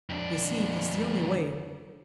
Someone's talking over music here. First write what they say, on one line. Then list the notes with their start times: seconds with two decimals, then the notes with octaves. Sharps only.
You see it's the only way.
0.10 F2 D4